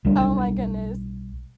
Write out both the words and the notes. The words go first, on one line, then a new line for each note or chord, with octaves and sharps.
oh my goodness.
B1 G3 D4